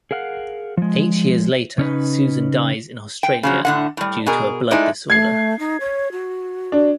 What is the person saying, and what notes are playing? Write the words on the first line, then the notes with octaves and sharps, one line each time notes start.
Eight years later, Susan dies in Australia due to a "blood disorder".
G#4 A#4 F5 F#5
F3 G#3
C#3 C#4 D#4 B4
G5
C#3 F3 F#3
A2 D3 F#5
A2 G3
B2 G#4 A#4
G#3 A3 D#4 E4 D5
A3 G#6 C7
D#4
C#5
F#4
D4